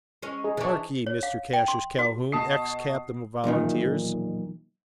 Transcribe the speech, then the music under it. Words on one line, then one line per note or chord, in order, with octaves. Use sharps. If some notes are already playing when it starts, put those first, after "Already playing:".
Hark ye, Mr Cassius Calhoun, ex-captain of volunteers!
G#3 C#4
G#4 D#5 A#5
E3 D4 G#4 C5 C#6
C#5
F5
G5
C6
F#4
B2 A5 D#6 C7
B1 E2 A#2 D#3